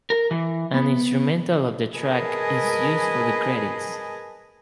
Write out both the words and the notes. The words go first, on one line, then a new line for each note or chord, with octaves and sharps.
An instrumental of the track is used for the credits.
A#4
E3
B3
G#4 A#4 B4 D#5 G#5 A5